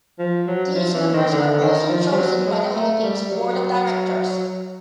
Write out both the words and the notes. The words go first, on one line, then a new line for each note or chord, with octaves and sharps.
These members were also chosen by the Hall of Fame's Board of Directors.
F3
F#3
F3
E3
D#3
D3
D#3
F3
G3
F#3
G#3
A3
G3
F#3